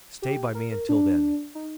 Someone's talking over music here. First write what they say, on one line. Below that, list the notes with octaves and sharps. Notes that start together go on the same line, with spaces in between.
Stay by me until then.
G4
A#4
A#4
D4
D#4